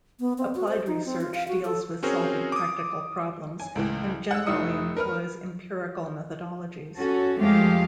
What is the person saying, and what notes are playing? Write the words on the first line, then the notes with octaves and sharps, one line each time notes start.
Applied research deals with solving practical problems and generally employs empirical methodologies.
B3
C4
F#4
C5
D#4
C4
F4
F5
F#4
A4
C4 C#4 F#4 G#4 A#4 C5
D6 D#6
G#5
C#2 A2 E3
F#5 E6
F1 D#4 E4 D#6 C#7
A#4 B4 F6
C#4 F#4 A4
F2 F3 G#3 A3 G4 F5